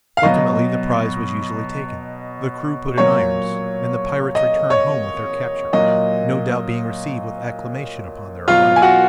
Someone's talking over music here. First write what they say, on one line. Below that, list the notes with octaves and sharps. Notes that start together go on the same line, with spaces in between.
Ultimately the prize was usually taken, the crew put in irons, and the pirates returned home with their capture, no doubt being received with acclamation upon their arrival.
F5
B2 F#3 D#5
A#2 F#3 C#5
D#5
C#5
A#2 F#3 D#5
B2 F#3 F4 F5
G#5
F#4 F#5